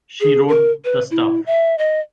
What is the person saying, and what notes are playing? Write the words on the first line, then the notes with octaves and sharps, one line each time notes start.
She wrote the stuff.
G#4
A#4
B4
E4
E5
D#5